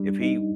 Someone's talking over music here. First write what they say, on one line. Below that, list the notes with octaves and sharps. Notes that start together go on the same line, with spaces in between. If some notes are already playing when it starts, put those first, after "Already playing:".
if he
Already playing: G3 D4
D#4